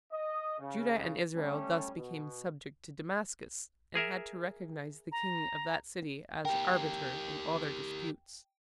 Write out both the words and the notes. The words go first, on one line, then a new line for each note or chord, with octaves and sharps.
Judah and Israel thus became subject to Damascus, and had to recognize the king of that city as arbiter in all their disputes.
D#5
C#3
G3 A3 C#4
B2
G#4 A#4 E5
A#5
G4 A#4 G5